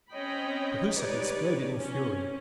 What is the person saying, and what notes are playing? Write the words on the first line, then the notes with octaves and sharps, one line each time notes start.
Cahusac exploded in fury.
C4 C#4 C#5 D#5 G5 B5
D#4 G4 B4 C#5 D5
C4 C#4